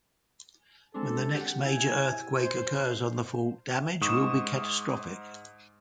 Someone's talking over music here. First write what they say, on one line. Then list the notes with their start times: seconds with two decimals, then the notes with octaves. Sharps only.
When the next major earthquake occurs on the fault, damage will be catastrophic.
0.94 G#3 C4 D4 A4
1.35 G4 F#5
1.66 E4 G4 G#5
2.36 C5
4.01 G#2 C#6 D#6 E7